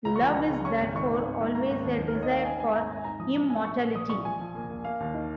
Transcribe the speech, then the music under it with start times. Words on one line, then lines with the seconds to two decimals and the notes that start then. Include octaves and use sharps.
Love is therefore always a desire for immortality.
0.05 C#2 A#5
0.16 F3 C#6
0.26 A#5
0.36 C#2
0.50 C#2
0.65 C#4 C#6
0.80 G#1
0.95 D#3 C#6
1.10 D#3
1.26 G#1
1.40 G#2
1.55 A#3 A#5
1.70 G#1
1.85 D#2
2.00 D#3
2.08 A#4
2.15 D#3 C#5
2.23 D#5
2.30 D#3 F5
2.45 C#4 G#5
2.60 G#3 G#5
2.75 G#2 A#5
2.90 C#4
2.96 G#5
3.04 G#2 A#5
3.19 F3 D#6
3.34 F3 A#5
3.50 A#3 G#5
3.65 A#1 C#6
3.80 A#2
3.95 A#1 D#6
4.10 A#1 C#6
4.25 F3 G#5
4.40 F3
4.55 A#3
4.70 A#3
4.85 A#3 F5
5.00 D#2
5.14 D#3